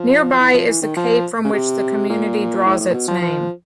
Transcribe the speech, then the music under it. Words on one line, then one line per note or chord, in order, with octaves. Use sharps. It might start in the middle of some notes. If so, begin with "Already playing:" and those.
Nearby is the Cape from which the community draws its name.
Already playing: F3
F3
E3
F3
E3
D#3
F3
C#3
C3
A#2
A2
A2
A#2
B2
F3
F3